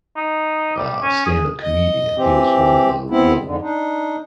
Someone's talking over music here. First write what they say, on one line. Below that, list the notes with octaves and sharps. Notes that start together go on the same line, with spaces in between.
uh, stand up comedian. He was one of the real
D#4
G3
C#4
G#4
D#5
E3 C4 G4
B3 C4 E4
F2 G#2 D3
D4 D#4